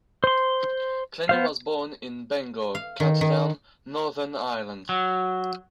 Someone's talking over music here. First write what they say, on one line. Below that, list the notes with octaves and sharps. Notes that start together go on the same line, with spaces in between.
Clanny was born in Bangor, County Down, Northern Ireland.
C5 C6
B3 C5 F5
F5
D#3
D#3
F#3